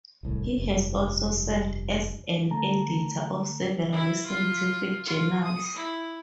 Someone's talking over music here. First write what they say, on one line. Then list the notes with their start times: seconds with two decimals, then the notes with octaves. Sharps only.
He has also served as an Editor of several scientific journals.
0.23 D1 C2 A2
0.58 F1 G2
2.50 D3 A3 A5 A#5
3.92 E4
4.26 F4
5.06 F4
5.44 D#6
5.76 E4